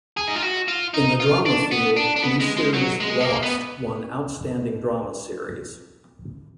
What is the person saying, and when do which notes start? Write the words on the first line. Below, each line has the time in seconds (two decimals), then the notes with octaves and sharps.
In the drama field, new series "Lost" won Outstanding Drama Series.
0.17 G#4
0.28 D#4
0.35 F4
0.42 F#4
0.68 F4
0.94 D#4
1.20 F4
1.46 D4
1.71 B3
1.97 D4
2.16 D4
2.22 B3
2.40 G#3
2.57 G#3
2.74 F#3
3.00 G#3
3.21 B3
3.25 A#3
3.43 B3